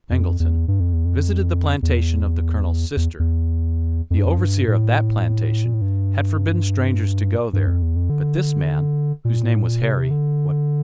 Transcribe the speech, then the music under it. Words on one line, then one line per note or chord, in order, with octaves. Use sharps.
M.R. Singleton, visited the plantation of the Col.'s sister; the overseer of that plantation had forbidden strangers to go there, but this man, whose name was Harry, would go.
F2
E2
G2
F2
E2
F2
E2
E2
E2
F2
G2
F2
G2
A2
A#2
A2
G2
G2
F2
E2
F2
D3
A#2
A2
A#2
C3
D3